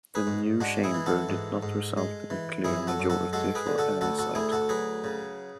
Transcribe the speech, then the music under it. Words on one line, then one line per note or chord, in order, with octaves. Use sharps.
The new chamber did not result in a clear majority for any side.
G#4 B4
G#2
G#3 D4 F#4
E4 G#4
E3
F#4 A4
G#2
G#2
G#3
E3
F#2 E4 G#4
F#4 A4
F#2
F#4 A4
G#3 F#4 A4
G#4 B4
D3
F#4 A4
D2 F#4 A4
F#4 A4
D2 E4 G#4
F#4 A4
F#3 G#4 B4
C#3